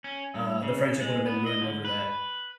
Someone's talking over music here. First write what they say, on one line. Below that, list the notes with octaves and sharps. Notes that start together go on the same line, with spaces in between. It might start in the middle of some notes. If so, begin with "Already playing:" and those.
uh, the friendship would have been ruined over that.
C#4
G2
C#3
G#3
B3
D#5
D3
B4